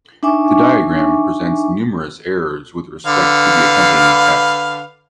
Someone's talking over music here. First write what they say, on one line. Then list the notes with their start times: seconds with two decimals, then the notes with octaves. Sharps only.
The diagram presents numerous errors with respect to the accompanying text.
0.23 D4 D#4 E5 G#5 C#6 D6
3.06 D3 B4 F5